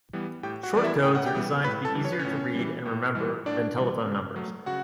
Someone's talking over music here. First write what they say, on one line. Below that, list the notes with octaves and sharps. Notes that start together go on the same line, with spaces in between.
Short codes are designed to be easier to read and remember than telephone numbers.
E3 G3 B3
A2 G4 G5
F#4 F#5
E3 G3 B3 D5
E4 E5
A2 G5
F#5
G4 G5
E3 G3 B3
A2 B4 B5
A4 A5
E3 G3
C#5
B4
C#4 C#5
A2
E3 G3
A2
E3 G3
A2 D4 D5
E3 G3
C#3
F#3 A3
C#3 F#4 F#5